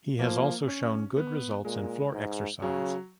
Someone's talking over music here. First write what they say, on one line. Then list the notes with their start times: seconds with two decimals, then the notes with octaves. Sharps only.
He has also shown good results in floor exercise.
0.19 F3 A#3
0.68 C#4
1.17 B3
1.65 A#2 G#3
2.14 G#2
2.62 C#3 F#3